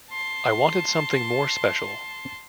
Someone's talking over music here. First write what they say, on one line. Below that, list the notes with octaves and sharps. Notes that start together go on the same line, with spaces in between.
I wanted something more special.
A5 C6